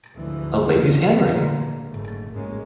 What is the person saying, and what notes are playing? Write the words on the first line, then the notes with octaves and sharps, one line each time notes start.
A lady’s handwriting!
D2 G#2 E3 F3
G#1 D2
A#2 D3 A#3
F#1 G#2 A3
A1 G#2 G#3 A#3 C#4